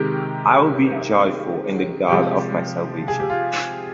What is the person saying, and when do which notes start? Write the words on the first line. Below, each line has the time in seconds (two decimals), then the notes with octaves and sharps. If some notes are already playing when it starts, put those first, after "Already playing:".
I will be joyful in the God of my salvation!
Already playing: C3 D#3 G#3 G4 A#4
2.09 C3 F3 G#3 G4
3.08 G#4
3.20 G4
3.30 F4